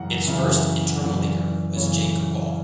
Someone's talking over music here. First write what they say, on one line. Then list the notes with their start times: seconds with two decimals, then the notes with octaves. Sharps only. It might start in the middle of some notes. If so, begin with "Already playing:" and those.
Its first interim leader was Jake Wall.
Already playing: F#2 C#3 E3 F#5 A#5
0.27 F#2 C#3 E3 E5
1.01 F#2 C#3 E3 D5
1.76 F#2 C#3 E3 C#5